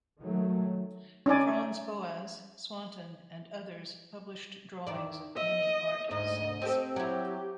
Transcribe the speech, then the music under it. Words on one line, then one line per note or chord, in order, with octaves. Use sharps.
Franz Boas, Swanton and others published drawings of many art sets.
D#3 F#3 A3
C#4 D#4 D5 G#5
E2 D#3 D5
D#5 E5
D2 G#2 D#5
C4 G4 A4
F#3 E4 G4